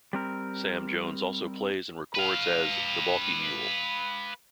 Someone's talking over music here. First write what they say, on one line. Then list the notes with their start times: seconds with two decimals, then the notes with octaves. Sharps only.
Sam Jones also plays and records as 'The Balky Mule'.
0.13 G3 C4 A#4
2.15 B4 F5